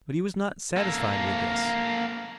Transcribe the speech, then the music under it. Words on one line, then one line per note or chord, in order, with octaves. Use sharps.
But he was not satisfied with this.
A#3 A4